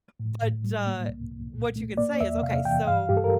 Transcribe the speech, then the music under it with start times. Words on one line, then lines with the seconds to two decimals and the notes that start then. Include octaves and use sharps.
but, uh, what you could say is, "Okay, so"
0.20 A2
0.42 A2
0.64 G3
0.87 A#3
1.08 C2
1.32 C2
1.54 A#2
1.76 A3
1.97 A#3 D5
2.21 E2 E5
2.42 C3 F5
2.64 E3 G5
2.87 G2 F5
3.09 G2 G4
3.17 A4
3.24 A#4